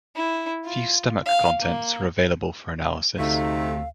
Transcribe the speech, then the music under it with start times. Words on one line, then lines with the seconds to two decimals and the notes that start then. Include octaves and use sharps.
Few stomach contents were available for analysis.
0.16 E4
0.64 F4
1.26 F5
1.60 A#3
3.19 D2 C3 A3 D#4 F5